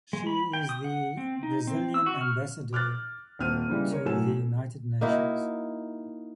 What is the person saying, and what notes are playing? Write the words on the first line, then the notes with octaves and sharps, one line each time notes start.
She is the Brazilian ambassador to the United Nations.
G#3
B5
G5
D#6
F#5
C4
D#4
C4
E6
F#4
F6
D6 F6 F#6 A6
D#1 C4 F6 D#7
C#3 E3 G3 G#3
A#4 C#5
A2 F#3 A4 G#5 E7
A#3 D#4 E4 F#4